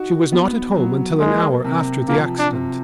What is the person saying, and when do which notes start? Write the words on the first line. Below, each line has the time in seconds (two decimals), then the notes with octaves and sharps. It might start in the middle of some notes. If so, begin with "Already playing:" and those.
She was not at home until an hour after the accident.
Already playing: D#4 F#4
0.32 B3
0.77 F#3
1.20 G#3 A#3
1.64 C3
2.08 F3 A#3
2.39 D4
2.53 C3